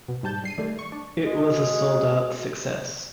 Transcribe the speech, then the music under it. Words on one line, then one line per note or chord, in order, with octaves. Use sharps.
It was a sold-out success.
B2
G#2 G3 A5 G6
G2 C7 D#7
D#3 G3 A3
C#6
D4
G#3 F#4